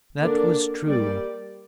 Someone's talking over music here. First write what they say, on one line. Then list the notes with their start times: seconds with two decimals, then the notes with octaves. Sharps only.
That was true.
0.18 D3 A#3 D4 A#4 D5
0.85 G3 A#3 G4 D5